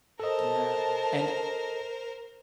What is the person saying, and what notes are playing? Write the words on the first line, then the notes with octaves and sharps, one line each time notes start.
Yeah, and,
A4 A#4 C5 D#5 A5